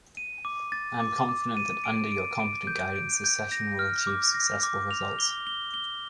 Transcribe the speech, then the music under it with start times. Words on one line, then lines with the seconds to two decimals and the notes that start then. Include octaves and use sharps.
I am confident that under your competent guidance this session will achieve successful results.
0.17 D#7
0.45 D6
0.72 A6
1.00 D6
1.29 D6
1.57 D#7
1.84 D7
2.12 D7
2.39 D7
2.67 G6
2.96 D7
3.24 G6
3.52 A#6
3.79 F6
4.07 D6
4.34 A#6
4.63 D6
4.91 F7
5.19 G7
5.47 G7
5.74 G7